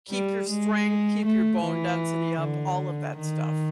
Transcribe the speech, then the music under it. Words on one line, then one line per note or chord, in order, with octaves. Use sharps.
keep your strength, keep your bone density up, all of that stuff.
G3
G#3
A3
E3
D3
D#3